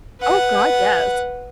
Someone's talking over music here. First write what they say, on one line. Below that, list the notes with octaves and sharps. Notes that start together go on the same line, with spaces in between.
Oh god, yes.
B4 F#5